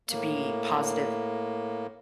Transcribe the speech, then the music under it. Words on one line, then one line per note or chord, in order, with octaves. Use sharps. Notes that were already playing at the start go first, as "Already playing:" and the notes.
to be positive
A2 A#3